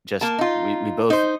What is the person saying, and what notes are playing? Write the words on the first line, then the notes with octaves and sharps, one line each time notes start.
just we we both
A#3 A5
D#4 F4
D#4 C5